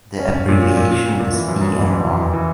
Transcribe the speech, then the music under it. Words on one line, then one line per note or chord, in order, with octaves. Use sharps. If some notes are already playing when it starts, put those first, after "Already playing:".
The abbreviation is Bnr.
C#4
C#4
A#2
A#2
A#2
A#2
A#2
A#2
E3
F#2
F#2
E3
F#2
E3
E3
E3